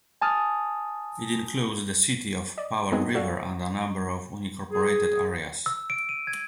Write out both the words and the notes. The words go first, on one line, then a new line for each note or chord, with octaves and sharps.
It includes the City of Powell River and a number of unincorporated areas.
G#5 A5 D#6 F6
D5 D#5
F#3 G#3 B3 C4 D#4 G#4
F#4 A4 D5 F5 G#5
G#4
E6
D7
D#7
G#6